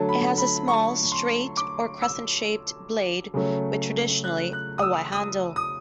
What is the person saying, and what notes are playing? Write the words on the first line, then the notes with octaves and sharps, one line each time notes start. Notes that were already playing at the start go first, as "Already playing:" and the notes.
It has a small, straight or crescent-shaped blade with traditionally, a white handle.
Already playing: D3 F#3 A3 A5
B5
B5
C#6
C6
D6
E6
C#3 F#3 A3
F#6
F#6
D#6
E6
D#6
D#6